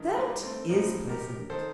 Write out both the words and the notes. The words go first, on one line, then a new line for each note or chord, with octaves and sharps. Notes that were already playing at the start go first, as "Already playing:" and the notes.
That is pleasant!
Already playing: G2 D#3
G3 A#3
A3 C4
A2 F3 C4 D#4
G4 A#4
D#3 A4 C5